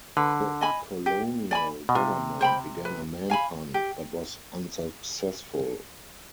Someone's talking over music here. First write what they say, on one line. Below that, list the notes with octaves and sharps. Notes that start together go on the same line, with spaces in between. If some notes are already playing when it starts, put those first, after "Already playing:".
The Colonial Government began a man-hunt, but was unsuccessful.
D3 B4
D#5 G#5 B5
G4
D5 G#5 B5
B2
C3 F4
C5 G5 B5
B4
F5 G#5 B5
G4